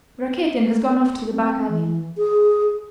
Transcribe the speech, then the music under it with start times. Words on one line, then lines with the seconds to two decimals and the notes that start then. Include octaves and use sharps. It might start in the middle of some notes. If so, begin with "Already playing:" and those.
Rakitin has gone off to the back alley.
1.32 C4
1.68 E3
2.17 G#4